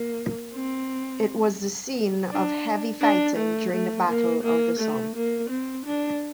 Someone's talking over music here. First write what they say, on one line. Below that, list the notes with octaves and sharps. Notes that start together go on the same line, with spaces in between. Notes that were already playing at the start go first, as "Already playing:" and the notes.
It was the scene of heavy fighting during the Battle of the Somme.
Already playing: A#3
C4
D4
D4
A3
A3
A#3
A#3
A3
A#3
C4
D4